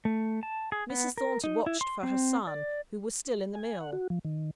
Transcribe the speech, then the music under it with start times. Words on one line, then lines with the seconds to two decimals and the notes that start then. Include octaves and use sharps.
Mrs. Thornton watched for her son, who was still in the mill.
0.05 A3
0.43 A5
0.72 G#4
0.90 B3
1.18 A#4
1.44 D#4
1.66 E4
1.81 C6
2.03 C4
2.47 D5
3.55 G#5
3.81 F#5
3.93 F#4
4.10 F3
4.25 D#3